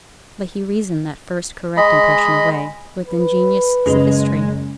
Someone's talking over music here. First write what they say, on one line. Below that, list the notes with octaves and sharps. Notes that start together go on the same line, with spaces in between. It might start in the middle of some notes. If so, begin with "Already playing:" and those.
But he reasoned that first correct impression away with ingenious sophistry.
G#3 D#5 B5
B4
F#1 C#3 G#3 F7